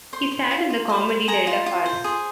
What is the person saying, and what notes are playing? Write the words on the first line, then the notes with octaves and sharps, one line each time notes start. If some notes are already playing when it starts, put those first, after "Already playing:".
He starred in the comedy "Delta Farce".
C5 C6
C5
F4
F4
C5
C5
G#4 A#5
F4
F4
C5
G#4